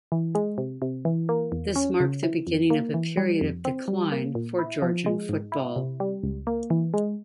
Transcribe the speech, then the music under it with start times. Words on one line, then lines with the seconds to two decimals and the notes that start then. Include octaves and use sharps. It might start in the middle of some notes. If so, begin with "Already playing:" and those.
This marked the beginning of a period of decline for Georgian football.
0.12 E3
0.35 G#3
0.58 C3
0.82 C3
1.05 E3
1.29 A#3
1.52 E2
1.76 C#4
2.00 C#3
2.23 E3
2.47 F2
2.70 A#3
2.94 E3
3.17 G3
3.41 F2
3.65 C4
3.88 G3
4.12 A#3
4.35 A#2
4.59 E4
4.82 F3
5.06 G#3
5.29 G#2
5.52 E4
5.76 C3
6.00 G3
6.23 C#2
6.47 A#3
6.70 E3
6.94 G#3